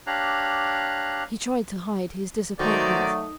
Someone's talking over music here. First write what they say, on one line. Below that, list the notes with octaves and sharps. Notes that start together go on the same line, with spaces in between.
He tried to hide his disappointment.
D4 G4 C#5 F5 A#5 F#6
D#3 F#3 A3 F#4 C5 D5